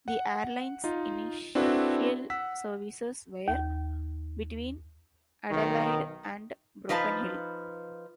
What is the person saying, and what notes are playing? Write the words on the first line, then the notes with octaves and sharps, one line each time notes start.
The airline's initial services were between Adelaide and Broken Hill.
F#5
D#4 F4
C4 D4 E4 F#4 A4 B4
F#5 E6 B6
D#2
B1 D#3
F3 D#4 B4 F5 A5